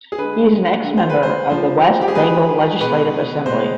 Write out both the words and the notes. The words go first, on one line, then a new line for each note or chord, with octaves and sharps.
He is an ex member of West Bengal Legislative Assembly.
G#4
D3 G#3 B4
D3 G#3
C5
B4
C5
D3 F3 G#3 C5
G4
G#4
D3 F3 G#3 B4
B2 G#3 B4
B2 G#3 C5